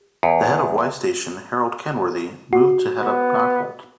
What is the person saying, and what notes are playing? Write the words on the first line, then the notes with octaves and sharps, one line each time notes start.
The head of Y station, Harold Kenworthy, moved to head up Knockholt.
E2
F#4
B3